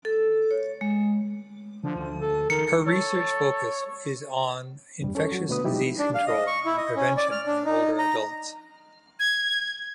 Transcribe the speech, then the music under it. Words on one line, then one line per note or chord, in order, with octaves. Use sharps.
Her research focus is on infectious disease control and prevention in older adults.
A4
C#5
G#3
D3 F3
D2
A4
D#3 A#4 C#7
A4 C#5
E2 G2 G3
C#4 A4 C#5
F#3 F#4
B2 D3 A3 B3 B4 D#6
F3 F#3 G#3 D#4 E4 G4
D4
F5
D#5
C#6
E4
D#5
C#4
D5
F6
D4
D#4
A#5
G#6